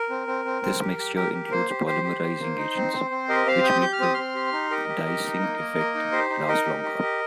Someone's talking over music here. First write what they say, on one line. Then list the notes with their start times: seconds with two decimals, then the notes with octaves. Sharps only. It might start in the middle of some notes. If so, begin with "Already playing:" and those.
This mixture includes polymerising agents, which make the deicing effect last longer.
Already playing: A#4
0.10 C4
0.27 C4
0.45 C4
0.62 C4
0.81 G4
0.99 G4
1.16 G4 A#4
1.33 G4
1.51 A#3 C5
1.70 G4
1.86 G4 C5
2.04 G4
2.22 G4
2.41 A#3
2.57 D#4
2.76 C4
2.93 C4
3.11 C4
3.29 G4 A#4 D#5
3.46 C4 C5 F5
3.64 G4 D#6 G6
3.81 G4 G6
3.93 F6
4.00 C4 D#6
4.13 C4 C6 F6
4.35 G4
4.53 D#4
4.70 G4 A#4 D#5
4.89 G4
5.06 G4
5.24 D#4
5.41 A#3
5.59 A#3
5.77 A#3
5.95 D#4
6.12 G4 C5
6.30 D#4
6.48 D#4 A#4 D#5
6.65 G4
6.83 G4
7.02 G4